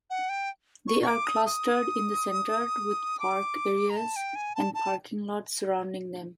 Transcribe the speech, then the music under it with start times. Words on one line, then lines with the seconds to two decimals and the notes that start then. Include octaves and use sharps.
They are clustered in the center, with park areas and parking lots surrounding them.
0.10 F#5
0.29 G5
0.88 C#6
1.02 C#6
1.07 D6
1.26 D#6
1.46 D#6
3.20 D6
3.90 A#5
3.97 A5
4.16 G5
4.36 G#5
4.55 A5
4.74 A5